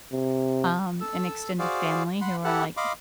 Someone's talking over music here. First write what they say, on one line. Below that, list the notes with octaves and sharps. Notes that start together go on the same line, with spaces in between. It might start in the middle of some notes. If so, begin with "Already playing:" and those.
um, an extended family who are like,
C3
A4 E6
F#4 G#4 C5 D5 F5
F#5 B5 C6
E4 G4 A4 F#5
D#5 F5 B5 C6 D6